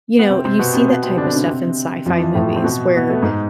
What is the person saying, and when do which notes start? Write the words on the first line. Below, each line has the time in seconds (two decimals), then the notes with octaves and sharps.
you know, you see that type of stuff in sci-fi movies, where
0.19 B3
0.30 C3 C4
0.45 C3 C4
0.59 B2 B3
0.74 C3 C4
0.89 B2 B3
1.03 C3 C4
1.17 D3 D4
1.36 D4
1.48 C3 C4
2.06 F2 F3
2.20 E3
2.34 A2 A3
2.56 C4
2.64 B2 B3
2.97 B3
3.10 A3
3.23 G#2 G#3